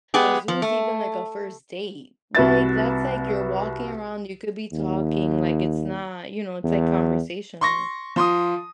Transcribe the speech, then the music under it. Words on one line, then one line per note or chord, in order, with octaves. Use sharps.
"A zoo's even like a first date." Like that's like, you're walking around, you could be talking, like it's not, you know, it's like conversational.
G#3 B3 G4 G#4
F3
A3
C2 F#4 B4 E5 A6
D#2
E2
C6 C#6 A#6
F3 C6 D#6